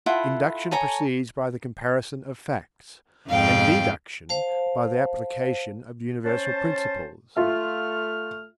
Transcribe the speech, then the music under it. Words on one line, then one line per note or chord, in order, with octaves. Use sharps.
Induction proceeds by the comparison of facts, and deduction by the application of universal principles.
E4 F4 A4 F#5
A4 C#5 G#5 A#5
F2 G#2 F5 G5
C5 F5 A5
C#4 C5 A5
A3 F4 E5 F6